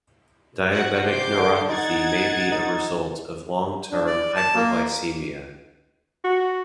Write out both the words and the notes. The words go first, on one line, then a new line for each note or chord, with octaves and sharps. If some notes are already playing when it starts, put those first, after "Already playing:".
Diabetic neuropathy may be a result of long-term hyperglycemia.
F#4 F#5
C3 D6 G6 C7
D3
D#4 F#5 G#6 A6
D#4
D4
D5
A5
A#3
F#4